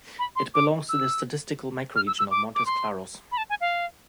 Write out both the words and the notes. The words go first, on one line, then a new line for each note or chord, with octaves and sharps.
It belongs to the statistical microregion of Montes Claros.
B5
C6
D6
E6
F6
E6
E6
D6
D6
C6
B5
A5
G#5
F5